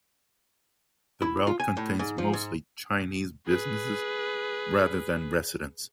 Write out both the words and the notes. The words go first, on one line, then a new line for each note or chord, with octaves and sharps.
The route contains mostly Chinese businesses, rather than residents.
E4
F4
G#5
A2
G#2
F3
G#2
G#4 B4